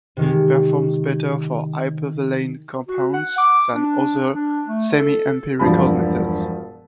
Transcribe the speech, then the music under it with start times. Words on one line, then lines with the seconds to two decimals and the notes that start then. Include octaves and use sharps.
It performs better for hypervalent compounds than other semiempirical methods.
0.17 C3 D#3 G#3
2.88 F#4
3.14 F#5
3.38 D6
3.75 D4
4.34 D4
4.67 A3
4.99 A4
5.59 E1 G2 F3 B5